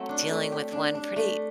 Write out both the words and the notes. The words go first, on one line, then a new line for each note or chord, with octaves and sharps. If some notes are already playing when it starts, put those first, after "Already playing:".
dealing with one pretty
Already playing: F#3 A3 C4
D4
A3
G4
D4
D4
A3